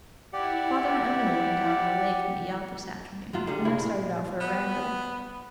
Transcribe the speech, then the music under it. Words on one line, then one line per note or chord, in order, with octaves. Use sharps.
Father and Emily went down the lake in the yacht this afternoon and I started out for a ramble.
E4 G4 D5 F#5
F#2 F#3 F4
D3 G3 G#4
C2 E4 G#4
A#2
B3